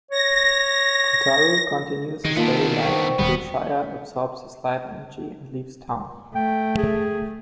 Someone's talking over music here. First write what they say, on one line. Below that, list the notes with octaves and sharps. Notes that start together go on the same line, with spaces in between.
Kotarou continues his daily life until Shia absorbs his life energy and leaves town.
C#5 A#6
D#3 G#3
A#3 B3 D4 F4
C5 G5 C#6
D#1 D#3 G3 B3
A3 G5
G#4